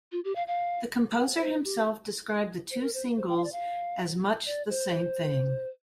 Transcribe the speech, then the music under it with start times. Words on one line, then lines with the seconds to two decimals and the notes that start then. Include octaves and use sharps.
The composer himself described the two singles as Much the same thing.
0.12 F4
0.25 G4
0.35 F5
0.47 F5
1.37 D5
1.41 C5
1.65 G4
2.71 C5
2.82 A#4
2.94 C5
3.17 C5
3.29 G5
3.37 F5
3.44 D5
3.52 F5
4.46 D5
4.70 C5